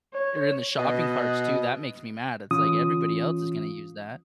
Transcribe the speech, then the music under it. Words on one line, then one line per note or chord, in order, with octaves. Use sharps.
or in the shopping carts too, that makes me mad, it's like everybody else is gonna use that.
C#5
B2 D#5
E3 C#4 F4 D#6